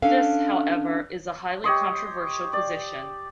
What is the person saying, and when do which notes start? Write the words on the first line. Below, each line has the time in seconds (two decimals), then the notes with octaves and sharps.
This, however, is a highly controversial position.
0.02 C#4 D4 A4 F5
1.64 G4 C#5 D#5 C6
2.53 D5